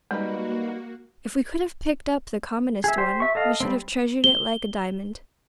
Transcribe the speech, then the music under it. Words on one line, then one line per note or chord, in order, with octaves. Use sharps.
If we could have picked up the commonest one, we should have treasured it like a diamond.
G3 G#3 A#3 D#4 F#4 B4
G#4 E5
G4 C5
E5 C#6
A4 D#5 F5
G3 A#3 C4
G7